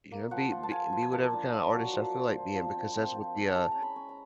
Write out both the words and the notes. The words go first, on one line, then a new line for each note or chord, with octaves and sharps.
you know, be be be whatever kinda artist I feel like being because that's what the, uh
A#3
F3 F#5
F4
A5
F4 G#5
F3
G#5
A#3 A5
D4
F4
F#3
F3
F3
F3
F3
C4
C4
F3
G#3
A5
E4 A#5
C#4 A#5
B5
C#4
A#5